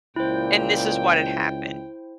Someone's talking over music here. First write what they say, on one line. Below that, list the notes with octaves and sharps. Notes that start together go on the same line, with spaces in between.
and this is what had happened,
C#2 A#2 E4 C5 G5